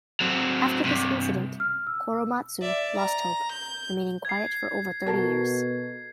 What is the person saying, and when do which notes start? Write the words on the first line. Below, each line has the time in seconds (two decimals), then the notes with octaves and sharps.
After this incident Korematsu lost hope, remaining quiet for over thirty years.
0.21 F#3 C4
0.84 G2 C3
1.60 F6
1.87 E6
2.61 D5 E5
2.98 A#5
3.53 G6
4.25 G#6 C7
5.06 B2 F#4 A4 A#4